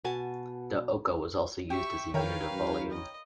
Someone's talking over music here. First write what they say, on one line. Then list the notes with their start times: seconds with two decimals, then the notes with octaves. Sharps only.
The oka was also used as a unit of volume.
0.04 B2 F#4 G#5 A5
1.70 G4 E5 C#6
2.14 D#3 A#4 B4 C#5 F5 G5
2.51 F#2
2.91 D#5